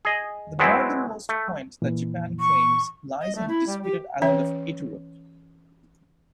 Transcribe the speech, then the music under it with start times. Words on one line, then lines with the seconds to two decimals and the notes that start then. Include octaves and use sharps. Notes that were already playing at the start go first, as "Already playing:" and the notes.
The northernmost point that Japan claims lies on the disputed island of Iturup.
0.05 G#4 D#5
0.59 F#3 G#3 B3 C4 E4
1.29 A3
1.82 A#2 E3
2.40 C#6
3.21 D#5
3.35 A3
3.48 E4
3.67 G3
3.83 G4
4.22 E3 C#4 C#5 E5